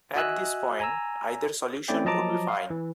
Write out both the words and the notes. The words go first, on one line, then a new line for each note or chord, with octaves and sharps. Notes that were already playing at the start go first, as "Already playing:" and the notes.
At this point, either solution would be fine.
F#4 D#5 E5 G#5 E6 F#6
G#5 A#5 E6
A3 C4 C#4 E4 D5 G5
F3 F#3 D#5 A5 A#5 D6
F5
E3